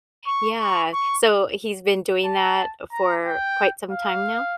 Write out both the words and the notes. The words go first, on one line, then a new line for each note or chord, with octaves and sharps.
Yeah. So he's been doing that for quite some time now?
C#6
C#6
C#6
A5
A#5
G5
F5